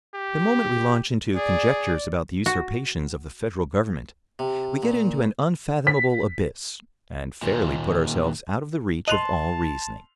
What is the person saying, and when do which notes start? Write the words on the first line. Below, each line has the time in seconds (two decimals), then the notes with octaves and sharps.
The moment we launch into conjectures about the usurpations of the federal government, we get into an unfathomable abyss, and fairly put ourselves out of the reach of all reasoning.
0.15 G4
1.36 G#4 D5
2.46 F#4
4.39 C3
4.83 A#2
5.87 B6
7.42 D#2 A#2
9.08 D#5 A5 C6 F#6 D#7 F7 F#7